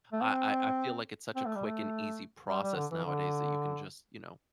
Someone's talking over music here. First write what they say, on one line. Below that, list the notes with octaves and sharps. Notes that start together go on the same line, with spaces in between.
I I I feel like it's such a quick and easy process nowadays that you can just, you know,
A3
C4
C4
A3
G3
A3
G3
G3
D3
E3
D3